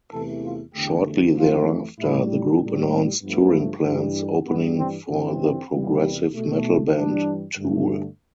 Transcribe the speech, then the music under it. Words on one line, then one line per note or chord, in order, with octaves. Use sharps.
Shortly thereafter, the group announced touring plans opening for the progressive metal band Tool.
E2 C3 E3 A3 A4
F4
E2 D3 A3 G4
F2 E3 A3 F4
A2 G3 E4
A2 G3
C4
G2 F3 A3 B3
G2 E3 G3
G2 E3 G3 B3
C4
G2 E3 G3 C4
E2 C3 E3 G3
B2 A3
G2 E3 G3 D4
G2 D3 A3